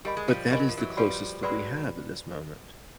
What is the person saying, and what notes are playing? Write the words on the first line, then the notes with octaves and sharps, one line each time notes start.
But that is the closest that we have at this moment.
G3 G4 A#4 D#5 G#5 B5
G#3
F3 G3
G3 G4 A#4 D#5 G#5 B5
F#3
F3
E3 F#3
F3 G3 F#4 B4 D5 G5 B5
F#3 G#3 F#4 B4 D5 G5 B5